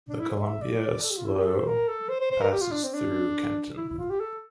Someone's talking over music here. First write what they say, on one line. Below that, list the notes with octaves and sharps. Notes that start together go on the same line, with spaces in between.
The Columbia Slough passes through Kenton.
D4
E4
C5
E5
D5
A4
G4
F4
E4
G4
A4
C5
A#4
A4
C5
C5
C5
A#4
G4
F4
D4
C4
D4
E4
E4
F4
G4
A4